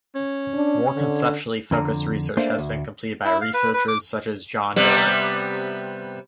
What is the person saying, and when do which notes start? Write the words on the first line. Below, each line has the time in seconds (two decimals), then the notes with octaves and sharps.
More conceptually focused research has been completed by researchers such as John Doris.
0.15 C#4
0.54 D4
0.95 D3
1.71 F2 D3 A#5
2.37 A3 A#3 D4 C5
2.58 D2
3.25 E4
3.41 F5
3.54 B4
3.74 B4
3.88 D6
4.76 C3 G3 B3